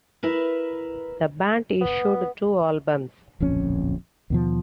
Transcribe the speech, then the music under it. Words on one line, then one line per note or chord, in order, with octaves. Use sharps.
The band issued two albums.
E4 A#4 B4
B3
D1 A#1 F2 C#4
D#2 B2 F3